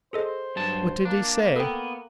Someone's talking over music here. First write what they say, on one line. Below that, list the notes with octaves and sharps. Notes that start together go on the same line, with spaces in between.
"What did he say?"
G#4 A4 C5 D#5
G2 F#3 A5
A#3 D4
B3 A4 G5